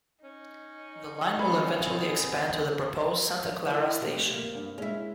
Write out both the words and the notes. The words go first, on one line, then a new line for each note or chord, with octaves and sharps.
The line will eventually expand to the proposed Santa Clara station.
C#4 D#4
B3 C4 G#4 B4 B5
A#3 E4
F2 C3 A3 B3 G4 A4
C3 A#3
G2
G#3 C#4 E4